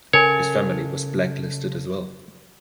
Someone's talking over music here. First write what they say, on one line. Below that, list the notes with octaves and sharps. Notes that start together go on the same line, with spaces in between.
His family was blacklisted as well.
C#3 A4 A#4 C#5 G#5